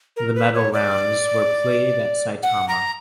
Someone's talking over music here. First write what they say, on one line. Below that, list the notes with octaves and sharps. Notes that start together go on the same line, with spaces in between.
The Medal Rounds were played at Saitama.
A#4
B4
C#5
D5
F#5
A#5